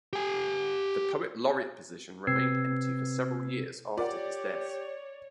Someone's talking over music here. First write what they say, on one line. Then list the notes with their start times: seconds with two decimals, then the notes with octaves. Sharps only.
The poet laureate position remained empty for several years after his death.
0.13 G4 G#5
2.27 C3 C4 B4 E6 G#6 C7
3.98 F4 G4 A#4 C#5 D5 F#5